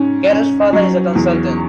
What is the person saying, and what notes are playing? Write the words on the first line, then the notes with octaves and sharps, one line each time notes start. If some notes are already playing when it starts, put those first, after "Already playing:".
Cara's father is a consultant.
Already playing: G#2 C#4
C#4
F#3
E2